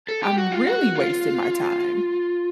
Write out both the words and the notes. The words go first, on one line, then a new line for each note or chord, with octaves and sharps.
I'm really wasting my time,
A4
G4
F#4
F4
F#4
F4